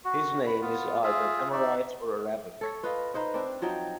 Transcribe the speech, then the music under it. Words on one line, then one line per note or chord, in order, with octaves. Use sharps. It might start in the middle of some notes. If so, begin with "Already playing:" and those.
His name is either Amorite or Arabic.
F#4
B5
B3 F4
F4 G#4 E5
D#4 D5 E5
A4 C#5
F4 B4 D#5 F5
D#4 B4 C5 D#5
C4 D4
F3 F#3 D#4 G5